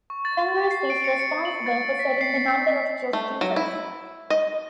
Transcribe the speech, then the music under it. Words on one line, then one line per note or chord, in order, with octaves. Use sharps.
Congress is responsible for setting the number of justices.
C#6
A6
A6
C7
D7
C#7
C#7
F#7
A6
B6
C7
B6
A3
F#3
E4
D#5